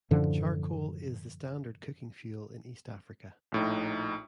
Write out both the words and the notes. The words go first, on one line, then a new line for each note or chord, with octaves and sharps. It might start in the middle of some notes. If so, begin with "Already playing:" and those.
Charcoal is the standard cooking fuel in East Africa.
F#2 A2 D3 F3
A#1 A2 D#4